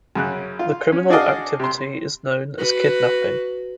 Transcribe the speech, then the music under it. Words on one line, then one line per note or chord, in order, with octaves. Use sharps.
The criminal activity is known as kidnapping.
F#2 C#3 F#6
F4
C#4
D4 F#4 G#4 D5 D#5 F5
C3 C6
F#4 B4